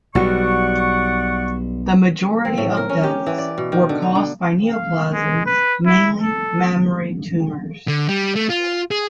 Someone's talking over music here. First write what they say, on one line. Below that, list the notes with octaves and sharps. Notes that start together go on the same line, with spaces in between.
The majority of deaths were caused by neoplasms, mainly mammary tumors.
B1 G3 F#4 D5 F#5 C#6
C4
A2
A#4
C#4
G4
E3
D5
B2
D#3
D3
D#4
D3
F5
G#3
B4
E4
A4
D3
G3
A3
F4
G#4